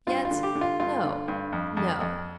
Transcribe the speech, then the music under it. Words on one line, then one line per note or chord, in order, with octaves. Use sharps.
Yet, no! No.
G2 F4
F4
D3
G4
D3
F4
G2 F4
D3
G2
F2
F2
F2